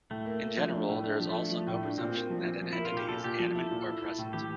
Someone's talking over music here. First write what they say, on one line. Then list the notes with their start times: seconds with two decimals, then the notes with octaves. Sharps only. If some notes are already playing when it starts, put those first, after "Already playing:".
In general, there is also no presumption that an entity is animate, or present.
0.10 A2 A3
0.26 A#3
0.42 A#3
0.57 F3
0.73 D4
0.89 A2
1.04 A3 D4
1.20 F3
1.29 A3
1.36 D4
1.51 F3
1.67 A2
1.83 D4
1.98 A#2 C4
2.15 A#3
2.30 F3
2.46 A#2
2.61 F3
2.73 A#3 E4
2.85 F4
2.92 A#2 G4
3.09 A#2 A4
3.24 A#2 G4
3.39 F3 A4
3.55 E4
3.71 A#2
3.86 E4
4.02 E4
4.18 A2
4.33 E3 G4